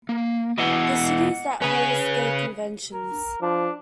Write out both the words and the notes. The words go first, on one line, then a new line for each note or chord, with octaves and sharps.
The cities that host their conventions.
A#3
B2 E3 D#5 F#5
C#4 G#4 B4
A#4
F3 D4